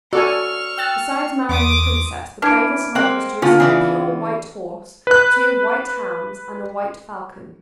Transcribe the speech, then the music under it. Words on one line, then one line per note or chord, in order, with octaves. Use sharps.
Besides marrying the Princess, the bravest knight was to receive a pure white horse, two white hounds, and a white falcon.
F#4 A4 D5 G#5 C#6 E6 F6
G5 E6 F#6 A6
E2 C6 D6 D#6 D7
E3 D4 F6 G#6 D7
G#3 A#3 C4 F#5
D3 A#3 C#4 F4
C#3 E3 B3 G#4 D5
B4 F#6